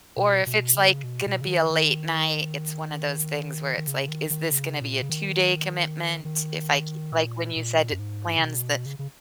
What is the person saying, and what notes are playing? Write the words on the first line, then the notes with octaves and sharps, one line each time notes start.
Or if it's like gonna be a late night, it's one of those things where it's like, "Is this gonna be a two-day commitment?" If I k like when you said plans the
B2
B2
C#3
B2
B2
C#3
D#3
D#3
D#3
C#3
D#3
D#3
C#3
A#2
C#3
D#3
D#3
A#2
A#2
F#2
G#2
C#3
B2
C#3
C#3